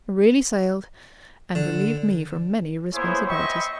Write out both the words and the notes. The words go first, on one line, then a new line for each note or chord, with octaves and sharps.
'Really sailed, and relieved me from many responsibilities.
D3
A#3 B3 E4 G#4 C5 C#5
C5 D#5 E5 G5 B5 C#6